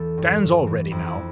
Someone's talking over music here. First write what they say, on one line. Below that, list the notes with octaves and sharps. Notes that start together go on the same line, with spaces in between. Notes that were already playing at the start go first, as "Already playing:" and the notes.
Dan's already now.
Already playing: E2 E3 A4
G2
G2
E3
F2 E4
E4
E3